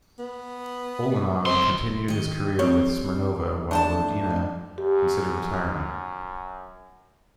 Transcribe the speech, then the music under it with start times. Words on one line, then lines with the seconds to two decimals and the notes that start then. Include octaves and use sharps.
Ulanov continued his career with Smirnova, while Rodnina considered retirement.
0.19 B3
1.46 C#2 C4 C6
2.08 D#3 D#5
2.59 G3 C4 C#5
3.71 A3 D4 C5 A5
4.78 F#2 G4